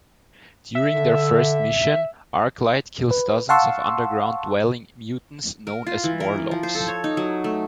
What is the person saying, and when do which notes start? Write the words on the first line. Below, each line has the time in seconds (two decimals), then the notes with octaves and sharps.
During their first mission, Arclight kills dozens of underground-dwelling mutants known as Morlocks.
0.75 E5
0.89 D3
3.11 B4
3.49 F5 F#5 A5 C6 C#6 E6
5.67 A#4
5.87 F4
6.04 E3
6.20 A#4
6.51 F3
6.63 C5
6.75 A4
6.88 C#5
7.04 D#4
7.17 F#3
7.44 A3